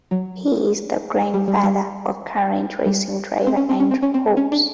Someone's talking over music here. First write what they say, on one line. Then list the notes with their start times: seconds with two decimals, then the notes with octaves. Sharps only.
He is the grandfather of current racing driver Andrew Hobbs.
0.11 F#3
1.34 G3
1.48 G3
1.63 G3
2.86 G3
3.47 C4
3.57 C#4
3.69 C4
3.80 C#4
3.91 C4
4.03 C#4
4.14 C4
4.37 C#4
4.52 D4